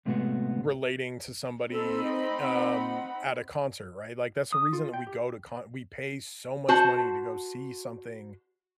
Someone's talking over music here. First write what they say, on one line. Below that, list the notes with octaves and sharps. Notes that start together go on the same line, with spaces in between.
r relating to somebody, a um, at a concert, right? Like, that's the reason that we go to con we pay so much money to go see something
A2 C3 G#3 A3 B3 F#4
C4 D#4 A4 B5
D#5
F#5
D#6
F4
G5
G4
F#4 C5 A5